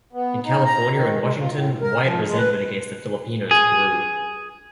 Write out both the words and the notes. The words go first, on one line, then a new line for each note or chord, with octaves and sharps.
In California and Washington, white resentment against the Filipinos grew.
B3
D#4
A#5
D#3
G#3
F4
A2
A#4
F3
G#3
B4
G#4